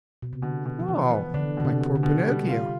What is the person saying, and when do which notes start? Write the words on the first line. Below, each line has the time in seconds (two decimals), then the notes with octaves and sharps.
"Oh, my poor Pinocchio!"
0.22 B2
0.33 C3
0.42 B2 D3
0.66 B2
0.79 F3
0.88 B2 E3
1.11 B3
1.34 D3 D4
1.57 B2 D3
1.65 C3
1.80 B2
1.95 D3
2.03 B2
2.26 G3
2.49 F4